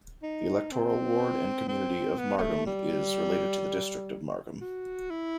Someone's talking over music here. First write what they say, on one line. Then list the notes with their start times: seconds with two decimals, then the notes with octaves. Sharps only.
The electoral ward and community of Margam is related to the district of Margam.
0.23 D#4
0.71 C4
1.68 C4
2.18 B3
2.38 B3
2.42 A3
2.66 G3
4.61 F#4
5.10 E4